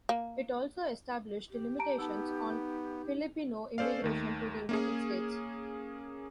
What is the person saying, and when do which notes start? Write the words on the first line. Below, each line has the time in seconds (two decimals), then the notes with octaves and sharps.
It also established limitations on Filipino immigration to the United States.
0.09 A#3
1.50 G4
1.79 A5 A#5 D7
1.98 B3 D#4 A5 E6
3.78 C#4 A4 C5 D5 F5
4.02 D#2 D#3 A3
4.69 A#3 C#4 G#4